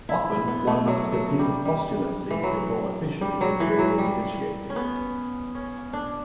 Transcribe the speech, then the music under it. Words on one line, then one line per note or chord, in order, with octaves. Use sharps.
Often one must complete a postulancy before officially entering the novitiate.
E4
B3
A3
F#3
F#3
G3
G3
E3
F#3
G3
F#3
E3
F#3
G3
C#4
B3
C#4
D4